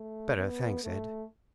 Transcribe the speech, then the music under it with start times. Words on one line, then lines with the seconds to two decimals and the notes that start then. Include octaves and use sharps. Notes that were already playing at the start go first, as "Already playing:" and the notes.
"Better, thanks, Ed."
Already playing: A3
0.39 B3
0.84 A3